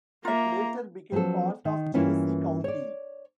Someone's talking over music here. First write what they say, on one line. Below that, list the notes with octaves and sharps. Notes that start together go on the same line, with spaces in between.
It later became part of Genesee County.
A#3 F4 E5 A#5
F3 F#3 B3 C#4 A4
D#3
G2 E3 A#3 C#4 E4 F4
C#5 D5